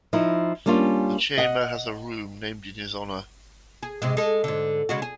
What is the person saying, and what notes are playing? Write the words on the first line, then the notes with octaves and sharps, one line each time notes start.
The Chamber has a room named in his honour.
F3 D#4 E4
G3 A#3 C#4 D4 F4
D#5 F#5
G#4
G#2 C3 G#3
G#3 A4
G#2 D3
C#3 G#3 F#4
G#4